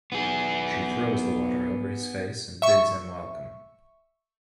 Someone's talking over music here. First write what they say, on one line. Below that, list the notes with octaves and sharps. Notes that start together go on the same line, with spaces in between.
She throws the water over his face and bids him welcome.
B1 B3 G#4
E5 C#6